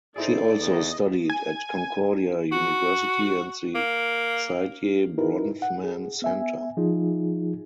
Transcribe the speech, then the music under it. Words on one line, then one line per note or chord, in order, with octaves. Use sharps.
She also studied at Concordia University and the Saidye Bronfman Centre.
D#4 E4 G#4 A4 C5 D5
E2 D#5
G#5
F#4
A#3
D#4 E4 F#4 A#4 B4
F#5
G#4
B3 E5 G#5
F3 D#4 F4 G#4